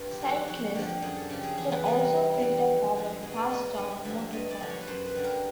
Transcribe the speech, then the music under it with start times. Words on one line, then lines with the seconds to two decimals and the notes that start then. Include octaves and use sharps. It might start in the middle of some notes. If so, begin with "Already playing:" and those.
Cyclists can also filter forward past stopped motor traffic.
Already playing: G2 F4
0.11 G4
0.20 D3 F#3
0.29 F#4
0.48 F2 F#4
0.75 D3 F3 G4
1.02 F#2 G#4
1.16 A4
1.30 C#3 F3 G4
1.43 G#4
1.58 E2 G#4
1.71 B4
1.85 C3 E3 G3 B4
1.99 A#4
2.12 G2
2.40 E3 G3
2.67 F2
2.95 D3 F3
3.23 B2 G#4
3.32 D5 D#5
3.49 F#3 D#5
3.78 G2 D#5
3.91 E5
4.05 D3 F3 E5
4.19 E5
4.33 G2 D#5
4.51 D5
4.60 D3 F3
4.69 C#5
4.81 B4
4.87 F#2 C5
5.06 B4
5.15 D3 G3
5.24 A#4